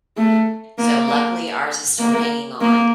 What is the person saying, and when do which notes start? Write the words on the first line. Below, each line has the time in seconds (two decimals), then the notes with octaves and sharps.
So, luckily, ours is still hanging on,
0.17 A3
0.78 A#3
1.08 A#3
1.99 A#3
2.61 A#3